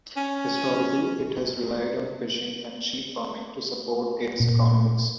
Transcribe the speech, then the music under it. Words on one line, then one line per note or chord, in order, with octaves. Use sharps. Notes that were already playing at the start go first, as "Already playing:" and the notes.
Historically it has relied on fishing and sheep farming to support its economies.
C#4
A#2